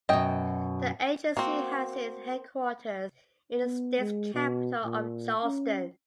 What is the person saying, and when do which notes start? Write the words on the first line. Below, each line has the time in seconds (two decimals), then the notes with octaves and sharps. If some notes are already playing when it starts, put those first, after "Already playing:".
The agency has its headquarters in the state's capital of Charleston.
0.09 F#2 B2 D#5 G5
1.37 A#3 C4 F#4
3.64 B3
3.99 G#3
4.34 B2
4.84 A#2
5.44 C#4